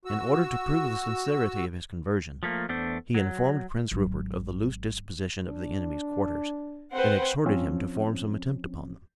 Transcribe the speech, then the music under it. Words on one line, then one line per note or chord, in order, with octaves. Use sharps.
In order to prove the sincerity of his conversion, he informed Prince Rupert of the loose disposition of the enemy's quarters, and exhorted him to form some attempt upon them.
F#4 E6
F3 A3 A#3
E2 A3 B3 D4 A4 C5
F#3
G#1 F#3
D4
C4 B4 C5 F#5
F3 C4 C#4